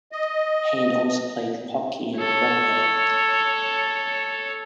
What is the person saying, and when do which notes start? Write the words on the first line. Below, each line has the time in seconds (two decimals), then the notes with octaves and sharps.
Heyn also played hockey and rugby.
0.12 D#5
2.18 A4 C#5